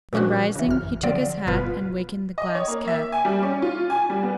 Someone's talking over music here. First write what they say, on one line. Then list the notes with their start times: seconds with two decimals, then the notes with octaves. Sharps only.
Then, rising, he took his hat and wakened the Glass Cat.
0.13 A#2 F3 C#4 D4 F#4
0.55 C#3 E3
0.67 A1 F#2 F6
1.03 D3 F3 F#3 C4 D5
1.47 G1 B2 B3 F4 B4
2.38 D#5
2.55 C#5
2.68 A#3
2.88 E5
3.12 G#5
3.25 G3
3.43 C#4
3.62 F4
3.90 G#5
4.10 G3
4.23 B3